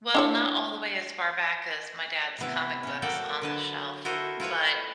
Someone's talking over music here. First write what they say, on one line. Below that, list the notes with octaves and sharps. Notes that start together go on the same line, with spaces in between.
Well, not all the way as far back as my dad's comic books on the shelf, but
D4 E4 C#5
C3 B3 E4
C3 C#4
F#3 A#3 F#4 A4 D5 G5
D3 B4 A5
E4 F#4 A4 A#4 C5 D#5
E4 F4 B4 C#5